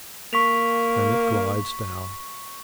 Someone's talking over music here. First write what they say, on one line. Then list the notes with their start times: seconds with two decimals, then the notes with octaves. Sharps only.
Then it glides down.
0.33 A#3 C#6 B6 F7